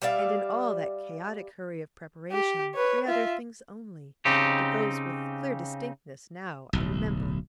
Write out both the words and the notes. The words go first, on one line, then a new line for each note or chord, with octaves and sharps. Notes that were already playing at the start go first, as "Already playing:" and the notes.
And in all that chaotic hurry of preparation, three other things only, but those with clear distinctness now, I remember.
G3 D5 E5 F5
G4
B4 C#5
F4 E5
C#3 C4 D#4 G4
D1 B1